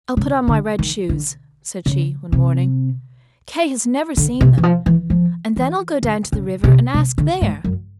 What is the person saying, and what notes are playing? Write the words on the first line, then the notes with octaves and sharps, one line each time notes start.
"I'll put on my red shoes," said she, one morning; "Kay has never seen them, and then I'll go down to the river and ask there."
C#3
D3
D#3
D3
C#3
C3
D3
C3
E3
F3
E3
F3
E3
D3
C#3
C3
C3
D3
G#2
F#2